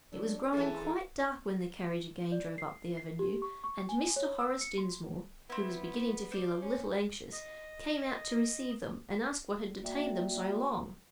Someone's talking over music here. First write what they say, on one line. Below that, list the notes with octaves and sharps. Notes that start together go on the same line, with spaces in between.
It was growing quite dark when the carriage again drove up the avenue; and Mr. Horace Dinsmore, who was beginning to feel a little anxious, came out to receive them, and ask what had detained them so long.
F#3 D4
E3 G#4 A4 E5 G#5
D5
C7
C7
G4
C#6
C#6
G#5
C#5
E6
C#7
C6
B3 C4 E4
C5 D5
C#4
D#5
A#3 F#4 D5 E5 G5